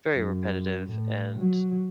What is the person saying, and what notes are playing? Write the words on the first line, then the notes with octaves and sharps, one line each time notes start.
very repetitive and,
F#2
A2
F#3